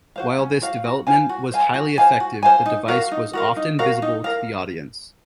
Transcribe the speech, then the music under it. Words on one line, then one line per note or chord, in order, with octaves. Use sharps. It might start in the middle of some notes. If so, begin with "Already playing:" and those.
While this development was highly effective, the device was often visible to the audience.
F#4 C5 F5
C#4
F#4 C5 F5
F#4
C5 F5 G#5
F#4
C5 F5 G#5
F#4
C5 F5 G#5
F#4
C5 F5 G#5
D#4
F#4 A#4 F5
D#4
F#4 A#4 F5
D#4
F#4 A#4 F5
D#4
A#4 F5